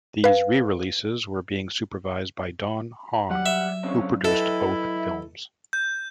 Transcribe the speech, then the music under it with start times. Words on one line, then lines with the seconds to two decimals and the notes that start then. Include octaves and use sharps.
These re-releases were being supervised by Don Hahn, who produced both films.
0.24 B4 F5
3.30 F#3 G3 F#5
3.46 E5
3.83 C#3 C4 D4 C#5
4.25 E4 A4 B4 D#5 E5
5.73 G6